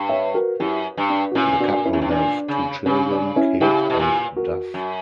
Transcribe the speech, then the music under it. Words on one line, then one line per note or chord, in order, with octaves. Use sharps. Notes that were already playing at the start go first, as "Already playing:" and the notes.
The couple have two children, Kate and Duff.
Already playing: G2
C#5 E5
F#4 A#4
F#2 E4 G4
G2
D4
F#4
A#2 C#4 E4
D4 F#4
C#4 E4
F#2
G2
A#2 D4
C#3
C#3 C#4
D4
C#4 E4
C#3 E4 G4
B2
A#2
F#4 A#4
F#2